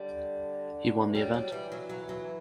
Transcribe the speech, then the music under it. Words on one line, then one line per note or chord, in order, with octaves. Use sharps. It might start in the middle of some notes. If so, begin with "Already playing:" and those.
He won the event.
Already playing: D3 G3
E3
F#3 G3
G3
E3 G3
F#3
F#3
F#3